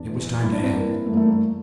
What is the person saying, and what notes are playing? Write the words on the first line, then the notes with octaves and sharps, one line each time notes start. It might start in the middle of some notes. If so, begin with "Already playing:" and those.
It was time to act.
Already playing: E2 D4
E3
E3
G2 E4
D4
G2 C4
E3 A#3
E3
G2 A3
A#3
A3
G2
A#3